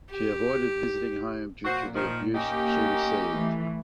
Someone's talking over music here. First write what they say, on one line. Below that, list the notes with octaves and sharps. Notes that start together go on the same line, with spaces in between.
She avoided visiting home due to the abuse she received.
G4
A#2 F#4 C5
D#3 F3
A#3 C#4 D#4 G4
E3 A3